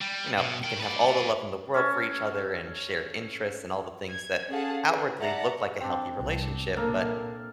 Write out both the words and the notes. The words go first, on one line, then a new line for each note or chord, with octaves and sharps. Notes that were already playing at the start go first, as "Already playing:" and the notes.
You know, you can have all the love in the world for each other and shared interests and all the things that outwardly look like a healthy relationship, but
G3
B2
A#4 G5
B4 D5
C#4 A4 G#5
G#6
C#4 G#4 A4 F5 F#5 A5
G#4 B4
D5 E5 F#5 A5 A#5
C4 D4
C2
A#2 A#3 D4 A4 A#4